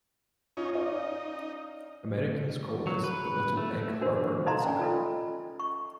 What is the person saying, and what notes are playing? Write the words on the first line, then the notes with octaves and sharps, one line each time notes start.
Americans call this the Little Egg Harbor massacre.
C#4 D#4 F4
C#4 D#4 D5 F5
F#3
B4
A3
D4 F#4 A#4 C5
D#4 A4 D#5 F5 A#5 C6
C#4 D5 G#5
F4 A4 D#5
C#6